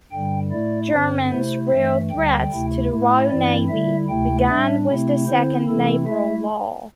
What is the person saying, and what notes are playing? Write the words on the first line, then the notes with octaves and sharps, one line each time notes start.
Germany's real threat to the Royal Navy began with the Second Naval Law.
G2 D3 G3 G5
A2 A3 E4 D5
G2 D3 C4 C5
C3 A3 E4 C5
G2 E3 A3 E5
D2 D3 G3 G5
D2 C3 A3 E4
A2 A3 E4
G2 E3 C4 E4 D5
D3 G3 E4 E5
D2 C3 A3 E4 G5
A2 G3 D4 E5
C3 A3 C4 E4
D3 C4 E4 C5
C3 E3 A3 C4 E4 A4
A3 E4 E5